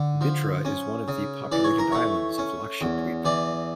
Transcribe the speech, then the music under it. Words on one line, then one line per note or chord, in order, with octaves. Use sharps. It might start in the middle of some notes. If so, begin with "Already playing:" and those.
Bitra is one of the populated islands of Lakshadweep.
Already playing: D3
F3
C#4
C#3
E3 D5
C#5
A#4
A3 C#5
C#4
E2
E3 D5